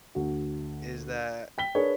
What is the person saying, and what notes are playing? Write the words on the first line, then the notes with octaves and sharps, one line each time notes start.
is that
D2 F#4
G5 B6 G7
D4 G#4 A#4 B4 C#5